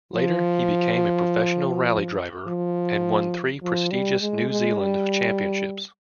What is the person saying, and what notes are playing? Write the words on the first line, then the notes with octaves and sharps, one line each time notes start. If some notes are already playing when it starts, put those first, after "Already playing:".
Later, he became a professional rally driver, and won three prestigious New Zealand championships.
F3
F3
F3
G3
G#3
G#3
G3